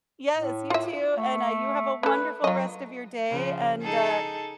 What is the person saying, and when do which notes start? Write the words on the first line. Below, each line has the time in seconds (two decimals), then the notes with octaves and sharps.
Yes, you too. And, uh, you have a wonderful rest of your day, and, uh,
0.35 A2
0.70 F4 E5
1.18 A3
2.03 C#4 A4 B4
2.44 F#3 F4 D#5
3.30 C#3 F3
3.82 D#4 G#4 A4